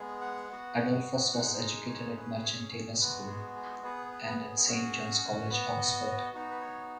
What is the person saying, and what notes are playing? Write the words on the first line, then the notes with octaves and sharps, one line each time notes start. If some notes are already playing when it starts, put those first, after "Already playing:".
Adolphus was educated at Merchant Taylors' School and at Saint John's College, Oxford.
Already playing: G#3 B3 G#4
F#5
B3 F#4
G#3 D#4 G#4 F#5
D#5
C#5
C#4 G#4 B4
B4
C#5
G#4
G#3 B3 F#4 B4
G#4
G#4
B3 G#4 B4
B4
B4
G#4
C#4 F#4
B3 F#4 B4
D#5
D#5
B3 D#4 F#4
B4
C#5